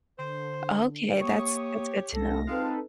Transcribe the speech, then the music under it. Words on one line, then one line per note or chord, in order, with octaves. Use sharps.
Okay, that's that's good to know.
D3 C5
A#3 G4 C#5 C#6 D#6
C2 A4 A#6
G#3 C4 D#4 F4 A4 B4 F5